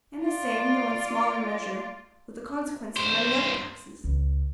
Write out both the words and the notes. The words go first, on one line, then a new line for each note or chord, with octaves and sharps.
And the same, though in smaller measure, was the consequence of many other taxes.
F4 D5
G2 C5
C#2